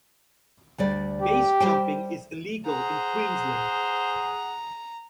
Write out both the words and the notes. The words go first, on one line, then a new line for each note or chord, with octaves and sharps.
Base-jumping is illegal in Queensland.
D2 G3 D5
G4
G3 C5 G5
G#4 C5 F#5 A#5